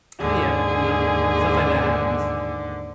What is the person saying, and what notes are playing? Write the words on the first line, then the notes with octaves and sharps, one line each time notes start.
But, yeah, you know, stuff like that happens.
D#2 G#2 D3 G#4